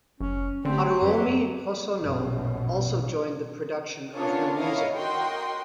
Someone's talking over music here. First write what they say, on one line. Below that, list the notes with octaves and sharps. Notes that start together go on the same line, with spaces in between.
Haruomi Hosono also joined the production of her music.
F#1 C#4
D3 A3 C4 G4
F#2 F#3 B4
A#1 F#2 B2
B3 C#4 D4 F4 A#4 C#5
E4 A#4 C#5 D#5 F5
F#4 A#4 D#5 G5 C6